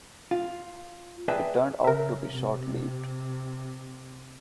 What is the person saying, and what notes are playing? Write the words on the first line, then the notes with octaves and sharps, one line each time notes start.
It turned out to be short-lived.
F4
G#4 B4 D5 E5 G5 A5
C#3 A#4 E5
C3